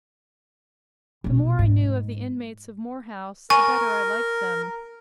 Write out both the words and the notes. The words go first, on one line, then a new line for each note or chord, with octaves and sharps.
The more I knew of the inmates of Moor House, the better I liked them.
A#1 B2
G#2
A#4 G#5 C#6